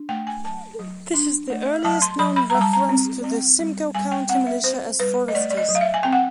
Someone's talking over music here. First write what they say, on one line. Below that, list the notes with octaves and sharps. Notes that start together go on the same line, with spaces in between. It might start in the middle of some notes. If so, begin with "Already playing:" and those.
This is the earliest known reference to the Simcoe County militia as Foresters.
Already playing: D4
A3 G5
G#5
F#3 A5
F#3
D4
A3
F#3 A5
C6
F#3 B5
B5
G3 A#5
A5
A#5
C4
C4
G3
G3 G#5
G5
C4 F#5
E5
C4 C5
G3 B4
D#5
A3 D5
D5
D#5
F#3
F5
E5
G#5
C4 G5
F#5